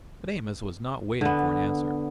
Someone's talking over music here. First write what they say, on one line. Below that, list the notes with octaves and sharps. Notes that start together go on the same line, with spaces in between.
But Amos was not waiting for an answer.
D3 B3